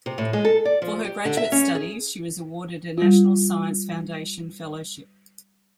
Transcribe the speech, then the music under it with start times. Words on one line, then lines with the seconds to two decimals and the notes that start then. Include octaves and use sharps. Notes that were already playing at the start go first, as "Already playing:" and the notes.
For her graduate studies she was awarded a National Science Foundation fellowship.
0.06 C3
0.18 A2
0.33 G#3
0.45 A4
0.65 D5
0.82 F3
1.05 G4
1.25 D3
1.37 E5
1.52 C#4
1.75 G#4
2.98 G3 F4